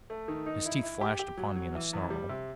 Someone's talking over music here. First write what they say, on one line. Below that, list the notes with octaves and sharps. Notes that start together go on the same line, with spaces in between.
His teeth flashed upon me in a snarl.
A3
D#3
D#4
E4
E4
G4
G4
F#3
F#3
E3
E2
G3
C3